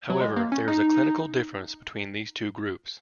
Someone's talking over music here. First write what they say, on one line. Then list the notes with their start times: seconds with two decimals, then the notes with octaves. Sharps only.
However, there is a clinical difference between these two groups.
0.10 F#3
0.21 G#3
0.36 A#3
0.52 C#4
0.68 D#4